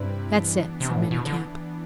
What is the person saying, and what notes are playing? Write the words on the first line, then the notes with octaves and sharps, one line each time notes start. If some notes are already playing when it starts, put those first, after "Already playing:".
"That's it," said Manicamp.
Already playing: G2 C3 G3 C4 E4 B4
E3 B3 D4
C3
B2
A2
B2
D3